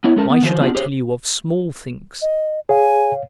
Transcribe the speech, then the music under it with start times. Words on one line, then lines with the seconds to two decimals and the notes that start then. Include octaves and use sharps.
Why should I tell you of small things?
0.04 B3 E4 C#5
0.16 G#3 C#4 A4 A#4 A5
0.30 B3
0.43 D#3 F3 F#3 B4 C5
0.60 B3 C4 D4 F4 G4 G#4
0.75 G4 G#4 C5 C#5
2.22 D#5
2.69 G#4 C#5 F5 G#5